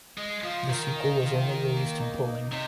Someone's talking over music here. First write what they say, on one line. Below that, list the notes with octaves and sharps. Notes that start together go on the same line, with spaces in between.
The sequel was only released in Poland.
G#3 D#5
F3 F4
D#3 A#4
D#5
F4
A#4
A#3
D#4
D#4
C3 D#4